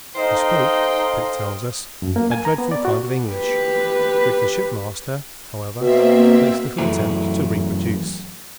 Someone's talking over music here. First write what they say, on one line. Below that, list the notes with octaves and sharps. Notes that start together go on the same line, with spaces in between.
He spoke, Pitt tells us, a dreadful kind of English, which the shipmaster, however, makes little attempt to reproduce.
D#4 A4 C5 D#5 F5 G5
F#2
A#3
G#5
A#5
B3
D5
F#4
G4 B4
B2 A#3 C4 E5
F#2 E3 F#3 A3 E4 G#4